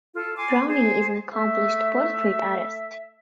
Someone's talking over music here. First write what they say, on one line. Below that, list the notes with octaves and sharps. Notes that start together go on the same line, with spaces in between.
Browne is an accomplished portrait artist.
F4 A4
G#5 C6 D6
G#4 C5
A3 E5